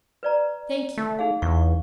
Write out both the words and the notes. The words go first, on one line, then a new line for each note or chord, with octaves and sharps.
"Thank you."
B4 D5 A#5
A3
D#4 G#4 F5
E2 C#6